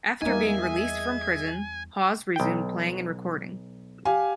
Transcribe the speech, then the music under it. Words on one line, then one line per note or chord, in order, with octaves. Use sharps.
After being released from prison, Hawes resumed playing and recording.
E2 G3 A#3 D#4 G#4 D#5 E5 G#5
B1 G5
G4 F5 G#5